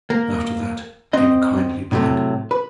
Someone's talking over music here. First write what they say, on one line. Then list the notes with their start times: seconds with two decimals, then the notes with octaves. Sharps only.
After that came a kindly blank.
0.10 A#3
1.13 C4 D#5
1.92 A2 C3 F#3 A3
2.51 B4